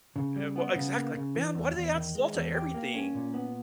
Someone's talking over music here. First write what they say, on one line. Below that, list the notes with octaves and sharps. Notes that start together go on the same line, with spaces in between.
Uh, well, exact like, man, why do they add salt to everything?
C#3
G3
B3
C#3
A#3
C#3
E3
E2
E2
D#3
G#3
E2
G4
A#3
C#4
A#2
B3